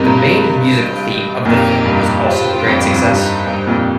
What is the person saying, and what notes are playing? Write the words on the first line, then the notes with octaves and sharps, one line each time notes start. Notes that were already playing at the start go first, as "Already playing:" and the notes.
The main musical theme of the film was also a great success.
Already playing: G2 C3 A#3 D#4 A#4
F4 D#5 G5
F2 A#2 A#3 D#4 G4
G2
F4 C5 G5
F2
G2
F2
G2 A#3 D#4 C5 D#5 G5
G2
F2 A#2